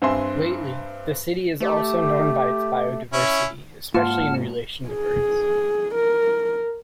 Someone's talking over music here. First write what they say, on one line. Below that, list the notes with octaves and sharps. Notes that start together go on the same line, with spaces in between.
Lately, the city is also known by its biodiversity, especially in relation to birds.
G2 C4 E5 G#5 C6
A3 G4
C#4 E4
G#2 A#3 F4 F#5 A5 F6
G#4
A#4